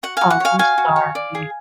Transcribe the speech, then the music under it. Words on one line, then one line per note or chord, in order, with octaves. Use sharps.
Oh, I'm sorry.
F#4 F#5
F#4 F5 G#5
F#5
C#5 F5 G#5
F#4 F5 G#5
F#4
C#5
D5
G#4